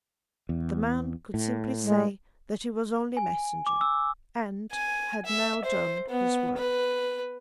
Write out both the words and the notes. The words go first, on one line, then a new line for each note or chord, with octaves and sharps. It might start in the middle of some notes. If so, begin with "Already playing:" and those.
The man could simply say that he was only a messenger, and had now done his work.
E2
A2
G#3
G#5
D6
E6
G#5
E5
C5
B3
B4